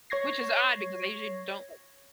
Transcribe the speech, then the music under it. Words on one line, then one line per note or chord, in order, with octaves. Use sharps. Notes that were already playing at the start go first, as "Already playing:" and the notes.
Which is odd because I usually don't like it.
C#5 C#6 G#6 A#6 C7